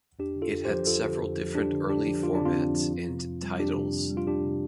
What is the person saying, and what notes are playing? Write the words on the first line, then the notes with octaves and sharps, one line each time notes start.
It had several different early formats and titles.
F2 D4 G4
D3
F4 A4
F2
G4 C5
F3
F2 F4 A4
D3
F2
F3
F2 D4 G4
D3
F2 D4 G4
F3
F2 F4
D4
D3 C4 F4
F2
F3
F2
C3
F2
G3
F2 D4 G4
C3
F2
G3
F4
F2 D4 G4
C3